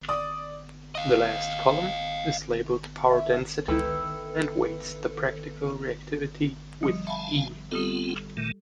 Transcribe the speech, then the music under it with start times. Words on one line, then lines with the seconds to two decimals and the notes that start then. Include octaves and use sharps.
The last column is labeled "power density" and weights the practical reactivity with "E".
0.08 D5 D6 D#6
0.95 D#5 F5
3.09 E5
3.68 C#2 D#3 E4 A4 B4 G5
6.83 F3 G3
7.07 E5 F5 G#5 A5 B5
7.71 G3 B3 C4 F4 G4 A4
8.37 A#2 D#3 A3